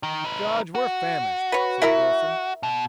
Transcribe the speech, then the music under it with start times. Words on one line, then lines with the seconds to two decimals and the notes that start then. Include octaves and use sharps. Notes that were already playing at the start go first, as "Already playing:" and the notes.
"Judge, we're famished," said Wilson.
0.03 D#3
0.24 D#4 B4
0.75 F#4
1.52 B4 C#5
1.82 E4 A#4 E5
2.63 B2